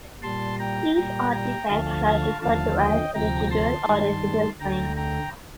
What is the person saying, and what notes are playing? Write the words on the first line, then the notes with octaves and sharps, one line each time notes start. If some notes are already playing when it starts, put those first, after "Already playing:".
These artifacts are referred to as "residual" or "residual finds".
A#2 G3 A5 C6
G5 A#5
A#2 G3 G5 A#5
G5 A#5
D2 D3 F3 A3 F5 A5
F5 A5
D#2 D3 F3 A3 F5 A5
D#5 G5
D2 C3 F3 G5 A#5
A5 C6
G2 D#3 G3
D2 D3 A3 G5 A#5
G5 A#5